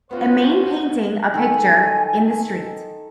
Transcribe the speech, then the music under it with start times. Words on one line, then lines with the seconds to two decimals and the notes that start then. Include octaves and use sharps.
A main painting a picture in the street.
0.11 B3 C#4 F4 F#4 C5
1.34 D#3 A4 G#5